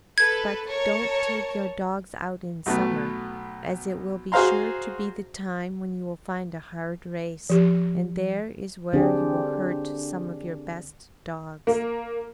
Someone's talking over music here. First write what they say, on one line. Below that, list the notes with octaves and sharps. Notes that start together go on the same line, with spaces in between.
But don't take your dogs out in summer, as it will be sure to be the time when you will find a hard race, and there is where you will hurt some of your best dogs.
A4 B4 G#6
A#4 C#5 A5
B1 A3 B3
F#4 G#4 C5 F5 A#5 C6
F3 G4
D3 C4 D4 G4 G#4
A#3